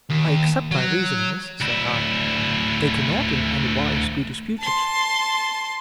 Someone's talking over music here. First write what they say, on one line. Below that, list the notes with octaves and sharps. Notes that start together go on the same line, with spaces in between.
'I accept thy reasonings,' said I; 'they cannot in any wise be disputed.'
D#2
F#3
D2 E4
A5 C6